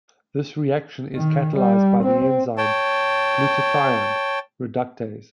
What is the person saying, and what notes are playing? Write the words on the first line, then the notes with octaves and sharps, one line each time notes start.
This reaction is catalyzed by the enzyme glutathione reductase.
D#3
G3
C4
C#5 G5 A5